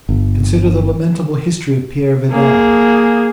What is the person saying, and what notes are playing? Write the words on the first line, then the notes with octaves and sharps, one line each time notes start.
Consider the lamentable history of Peire Vidal.
G1
A#3 G#4